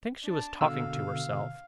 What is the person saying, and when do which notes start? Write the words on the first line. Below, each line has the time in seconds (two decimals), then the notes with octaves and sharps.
I think she was talking to herself.
0.23 D4 A5
0.61 B2 D3 F5 E6